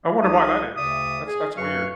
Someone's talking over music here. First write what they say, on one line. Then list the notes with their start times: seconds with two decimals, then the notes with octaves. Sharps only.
I wonder why that is. That's that's weird.
0.22 C2 D#4 G#4 E5 D#6
0.76 D2 C#3 D5 E5 D#6
1.27 G#4
1.57 F#2 F#3 F#4 B4 F5 C#6